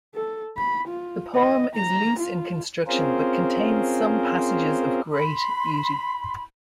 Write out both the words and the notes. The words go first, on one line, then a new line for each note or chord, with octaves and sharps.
The poem is loose in construction but contains some passages of great beauty.
A4
B5
F4
D#5
A#5
F4
C4 C#4 F4 G#4 A#4 C5
B5 C6